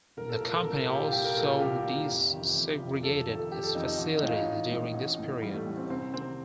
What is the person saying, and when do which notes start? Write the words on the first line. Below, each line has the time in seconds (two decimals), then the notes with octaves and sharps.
The company also desegregated its facilities during this period.
0.17 C2 A#4
0.29 A4
0.40 A#2 A#4
0.53 A4
0.65 C2 A#4
0.77 A4
0.89 A#2 G4
1.01 F4
1.12 C2 G4
1.24 A#4
1.36 A#2 A4
1.48 F4
1.61 C2 G4
1.84 A#2
2.08 F1
2.31 D#3
2.37 F2
2.56 F1
2.80 F2 D#3
3.03 F1 A4
3.28 F2 D#3
3.35 A4
3.51 F1 G4
3.63 A4
3.75 F2 D#3 D#4
3.87 D#4
3.98 A1
4.15 D#4
4.22 A2 F4
4.31 D#4
4.47 A1
4.71 A2
4.94 A1
5.19 A2
5.42 A1 G3
5.54 A3
5.66 A2
5.77 C4
5.89 C2 C4
6.13 C3 D#3 C4